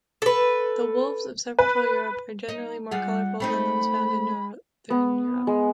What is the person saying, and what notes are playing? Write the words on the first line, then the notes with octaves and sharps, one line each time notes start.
The wolves of central Europe are generally more colorful than those found in northern Europe.
A4 B4
B4
D#4
G3 F4 G#4 F#5
A3 C4 D#4 B5
B3
G#3